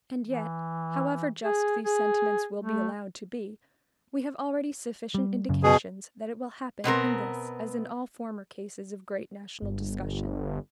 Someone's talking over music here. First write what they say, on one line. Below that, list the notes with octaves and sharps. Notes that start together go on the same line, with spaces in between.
And yet, however just these sentiments will be allowed to be, we have already sufficient indications that it will happen in this as in all former cases of great national discussion.
E3
G#4
G#4
A3
G3
F#2 C#3
B2 G#4
B2 B3 C4 A#4
G1